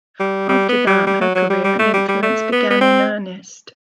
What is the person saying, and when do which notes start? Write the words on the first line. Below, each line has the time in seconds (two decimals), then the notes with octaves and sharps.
After that her career and influence began in earnest.
0.20 G3
0.49 G3
0.69 B3
0.87 G3
1.07 G3
1.21 F#3
1.35 F#3
1.50 G3
1.64 G3
1.79 A3
1.94 G3
2.08 G3
2.23 A3
2.52 B3
2.70 B3
2.81 C4